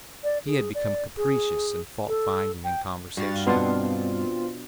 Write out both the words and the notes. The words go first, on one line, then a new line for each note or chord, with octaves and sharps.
He had become capricious and fault-finding in conversation.
D5
G#4
D5
G#4
A4
G5
G2 F#4 F5 A6
B2 B3 C4 D4 F4 F#5 C6